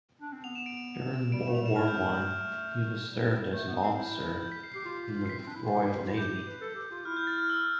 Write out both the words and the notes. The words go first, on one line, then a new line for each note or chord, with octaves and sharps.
During World War One he served as an officer in the Royal Navy.
D4
C4
B3 F7
E7
D7
D7
G3 D7
E7
A3
F7
G3 E7
A3 F6
G6
B3
A3
G6
G3
A3 F6
G3 F6
A3 G6
B3
C4
E4
G6
B6
C7
G4 C7
F4
C7
B6
C4
D4
E4
F4
G4
G4
F4
E4
G4 G6
G4
B4
A4
G4
F4
E4 F6
G6
A6
F6
E6